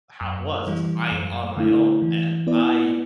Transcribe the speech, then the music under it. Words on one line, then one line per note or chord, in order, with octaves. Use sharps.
how it was is, "I am on my own," a and I
F#2
E3 G3
F#2
D3 A3 E4
E3
B3 E4 B4 D5